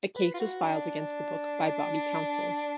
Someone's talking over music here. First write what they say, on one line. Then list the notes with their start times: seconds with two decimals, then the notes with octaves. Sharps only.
A case was filed against the book by Badi council.
0.16 B4
0.34 F4
0.40 F#4
0.62 D4